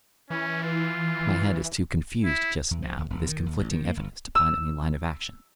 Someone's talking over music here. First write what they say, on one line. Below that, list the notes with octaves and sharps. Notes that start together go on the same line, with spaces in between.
My head is too confused just now with this conflicting evidence to plan any line of action.
E3 C#4
F4
E4
E2
F3
D#2
E1
D#3
D#2
A1
D#3
A#3
G1
E6